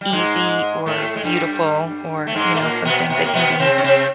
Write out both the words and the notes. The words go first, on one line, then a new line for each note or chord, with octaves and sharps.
easy or beautiful or you know, sometimes it can be
G3
G#2 G#3
A2 A3
G#3
G2 G3
A3
G#2 G#3
A3
A#2 A#3
B2 B3
B2 B3
A#3
B2 B3
C3 C4
C#4
C3 C4